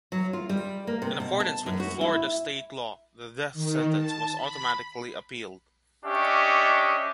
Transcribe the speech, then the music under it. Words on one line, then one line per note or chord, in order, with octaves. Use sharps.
In accordance with Florida State Law, the death sentence was automatically appealed.
F#3
F4
G3
A#3
C3
B2
A5
F#2
F#4
E4
D#3
A5
B5
C#4 D4 G4 D#5 E5 C#6